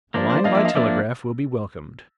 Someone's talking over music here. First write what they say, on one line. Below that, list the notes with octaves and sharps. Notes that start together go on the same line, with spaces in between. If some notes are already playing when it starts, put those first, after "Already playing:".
A line by telegraph will be welcomed.
F3 A#3 D4 C5 D5
C5 D5
F3 A#3 D4 D#5 F5
D5 E5
D#5 F5
F3 A#3 D4 D5 E5